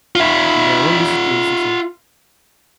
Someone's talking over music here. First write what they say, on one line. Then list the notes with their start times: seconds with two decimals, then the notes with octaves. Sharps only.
Yeah, what music do you listen to?
0.15 F4 E5